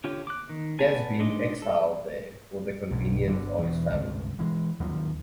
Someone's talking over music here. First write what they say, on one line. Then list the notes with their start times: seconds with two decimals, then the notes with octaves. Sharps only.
He has been exiled there for the convenience of his family.
0.04 D3 F4 G4 C#5
0.27 D6 F#6
0.49 D#3
0.79 B3 G#5 A5
1.20 G#3 D4 D#4
1.62 A4
2.91 B1 G#2
3.26 G1 D3
3.58 E2 B2
3.91 G1 C#2 C3
4.39 E3 G3 G#3
4.80 D#2 D#3 F3 F#3